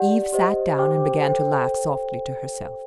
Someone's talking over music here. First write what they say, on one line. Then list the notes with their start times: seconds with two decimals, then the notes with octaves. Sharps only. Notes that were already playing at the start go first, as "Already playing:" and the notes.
Eve sat down and began to laugh softly to herself.
Already playing: G4 D5 F#5
0.32 G4 C5 D#5
0.77 G4 C5 G5 D6
1.22 A4 C5 G5